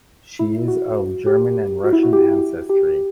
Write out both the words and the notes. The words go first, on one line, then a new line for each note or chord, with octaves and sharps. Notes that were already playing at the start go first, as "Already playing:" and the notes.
She is of German and Russian ancestry.
E4
F#4
G4
F#4
E4
F#4
G4
G4